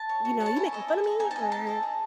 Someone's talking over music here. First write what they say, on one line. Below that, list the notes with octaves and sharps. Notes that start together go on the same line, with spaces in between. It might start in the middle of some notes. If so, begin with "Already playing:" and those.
you know, "You making fun of me?" or
Already playing: A5
C#5
F#4
C#5
A5
E4 G#5
A4 D#5
E4
A4 D#5
D#4 G#5
A5
A4 D#5 G#5
D#4 A5
A4 D#5
G#4